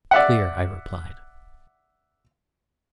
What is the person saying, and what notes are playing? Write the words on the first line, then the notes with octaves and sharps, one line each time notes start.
"Clear," I replied.
D5 E5 F#5